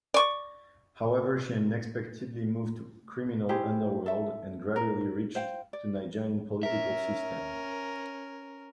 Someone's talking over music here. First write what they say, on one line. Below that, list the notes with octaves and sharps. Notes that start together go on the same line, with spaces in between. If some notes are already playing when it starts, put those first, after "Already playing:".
However she unexpectedly moved to criminal underworld and gradually reached to Nigerian political system.
D5 C#6
E4 G4 G#4 C5
A4 E5
A#4
C5 F5 G5
D5
C#4 A#4 E5